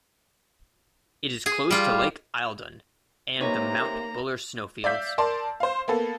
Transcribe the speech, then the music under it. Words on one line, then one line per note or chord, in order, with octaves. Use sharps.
It is close to Lake Eildon and the Mount Buller snowfields.
G#4 G#5
G3 F4
C3 A#3 D#4 B4 C#5 A#5
D5 E5 F5 E6 G6 B6
A#4 D5 A5 C6
C5 F5
A#3 B3 A4